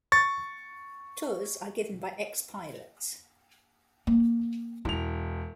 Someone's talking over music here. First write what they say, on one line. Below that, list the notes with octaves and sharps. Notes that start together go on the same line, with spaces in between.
Tours are given by ex-pilots.
C#6 A6
A#3
E1 E4 F7